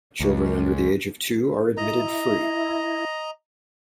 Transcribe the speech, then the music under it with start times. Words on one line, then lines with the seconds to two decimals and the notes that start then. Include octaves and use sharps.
Children under the age of two are admitted free.
0.20 C#2
1.77 E4 D#5 A#5